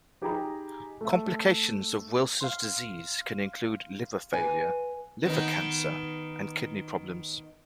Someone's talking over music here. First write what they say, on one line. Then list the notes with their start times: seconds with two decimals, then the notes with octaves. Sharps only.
Complications of Wilson's disease can include liver failure, liver cancer, and kidney problems.
0.22 D#4 G4 G#4 G5 A#5 B5
1.01 A3 E5
2.41 F5 C6
4.33 B4 G#5
5.25 D#3 B3 D#4